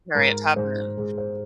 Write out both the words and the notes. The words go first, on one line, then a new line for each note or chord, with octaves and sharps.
Harriet Tubman.
G#2 A#4
G#2 C5
G#2 G#4
C5